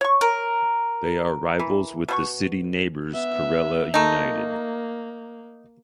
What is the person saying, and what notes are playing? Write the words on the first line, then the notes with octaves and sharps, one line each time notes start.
They are rivals with city neighbours Karela United.
C#5 C#6
A#4
E3
B2 E4 C#6
B3 E5
A3 A#3 D#4